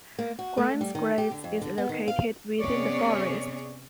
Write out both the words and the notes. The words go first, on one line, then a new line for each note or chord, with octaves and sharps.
Grimes Graves is located within the forest.
A#3
F#4
A3
G3
D#3
G4
D3
F2
D3
B3
D#3
F5
C3 B3 C#4 G#4 C#5 D5